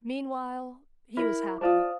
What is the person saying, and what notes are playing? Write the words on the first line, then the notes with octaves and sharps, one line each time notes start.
Meanwhile he was happy.
E4 A#4 B5
F4 C5 D5 F5 A5 D#6